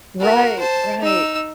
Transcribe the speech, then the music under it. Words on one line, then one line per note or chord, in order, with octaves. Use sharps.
right, right.
F#4 A#4
C5 A5
D#4 E6